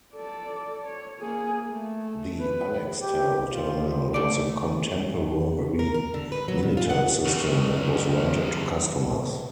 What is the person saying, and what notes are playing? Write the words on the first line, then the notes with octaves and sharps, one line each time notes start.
The "Alextel" terminal was a contemporary Minitel system that was rented to customers.
A4 D5
C#5
A#3 G#4
A3
B4
G4
F4
A3 D5
A#4
A#4
D3
B4
F#3
A#2
F4
F#5
F#2 C#3